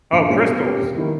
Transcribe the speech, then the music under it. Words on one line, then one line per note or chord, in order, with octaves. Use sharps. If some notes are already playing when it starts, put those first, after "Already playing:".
Oh, crystals.
A#1
A#2 G#3 C#4
B2
A#3 C#4 G4 B4
E1
D#3 A#3 E4